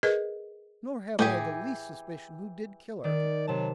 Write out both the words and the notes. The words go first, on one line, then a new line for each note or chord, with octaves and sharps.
Nor have I the least suspicion who did kill her.
G#4 A#4 B4 D#5
A2 E3 G4 G#4
D#3 D5
C3 F#3 A5